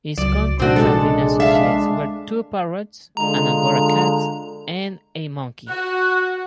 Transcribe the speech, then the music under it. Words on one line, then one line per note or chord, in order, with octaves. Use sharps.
His constant travelling-associates were two parrots, an Angora cat, and a monkey.
C#2 F#3 D5
A#1 C3 D#3 C4 D4 F#4
G#3 A4
E5 F5
D3 G#3 F4 A#5
F#4 F#6